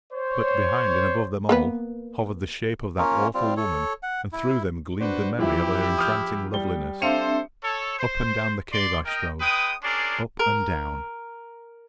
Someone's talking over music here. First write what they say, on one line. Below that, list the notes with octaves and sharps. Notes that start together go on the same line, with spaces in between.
But, behind and above them all, hovered the shape of that awful woman, and through them gleamed the memory of her entrancing loveliness. Up and down the cave I strode--up and down.
C5 C#5
A#3 B3 B4
A#3 C#4 F4 A#4
G3 C4 F4
A4 C#5
F#5
E4
D4 F#4 B4 C5
E2 E3 F3 E4 G4 E5
D#6 F6 G6
G3 G7
C4 D4 A4 C5 E5 F5 C#7
A4 C#5
C5
D5 C6
A#4 D#5 G5
G#3 B4 G5 D#6
C#4 D4 G#4 A#4 D5 C6
A#4